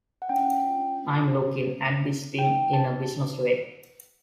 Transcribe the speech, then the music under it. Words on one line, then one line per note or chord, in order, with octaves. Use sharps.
I'm looking at this thing in a business way.
F#5
C#4 G5
F4
C#4
C#4
C4
C4
D#4 G5
D#4 A5